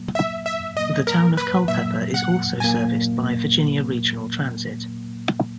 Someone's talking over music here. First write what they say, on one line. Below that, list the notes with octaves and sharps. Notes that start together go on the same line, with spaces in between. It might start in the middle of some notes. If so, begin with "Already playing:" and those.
The town of Culpeper is also serviced by Virginia Regional Transit.
Already playing: A#2 F#3 A#3
E5
E5
A#2 F#3 A#3 D#5
A#4
B4
A#2 F#3 A#3 E5
F#5
A#2 F#3 A#3 G#5